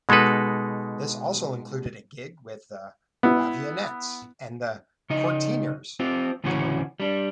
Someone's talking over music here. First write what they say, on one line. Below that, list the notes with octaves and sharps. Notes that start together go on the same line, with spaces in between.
This also included a gig with The Raveonettes and The Courteeners.
B2 G#3 D#4 A4 B4
B3 E4
C#3 D#4 D#5
C4 F4 G4
D2 A2 C#3 E3 C#4 F#4
G3 D4